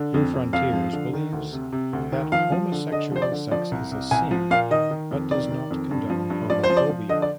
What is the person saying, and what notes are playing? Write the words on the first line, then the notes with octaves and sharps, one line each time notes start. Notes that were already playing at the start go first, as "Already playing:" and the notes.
Newfrontiers believes that homosexual sex is a sin, but does not condone homophobia.
Already playing: D3
F2
F2
F2 F5
F3
D3
D#3
D2
C3
C3
D2
D#3
F3 F5
F3
D3
D3 D#5
F3 C5
D5
D3
F3 D5
C2
C2
C2 G#5
F3
A#2 F5
D#3 D#5
D#3
F2
D#3 D5
D#3
F2
G2
F3
G2
F3 D5
C5
F3
D5
F3
D3 D#5
D5